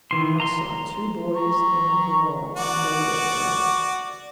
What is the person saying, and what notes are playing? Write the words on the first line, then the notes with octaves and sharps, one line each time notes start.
"I saw two boys and a girl on board of her."
D#3 E3 C6
A#5 C6
A#5 C#6
F#4 D5